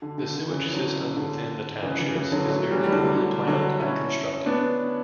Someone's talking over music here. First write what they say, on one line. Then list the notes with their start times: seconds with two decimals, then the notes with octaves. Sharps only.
The sewerage system within the townships is very poorly planned and constructed.
0.02 D3
0.18 D3
0.35 D3
0.51 C#3 E3
0.73 D3 F#3
0.96 C#3
1.17 D3
1.82 C#3 E3
1.99 C#3 E3
2.15 C#3 E3
2.32 D3 F#3
2.48 F#3 A3
2.71 E3 G3
2.84 G3
2.92 D3 F#3
3.15 D3
3.47 D3 F#3
3.80 C#4 E4
4.46 B3 D4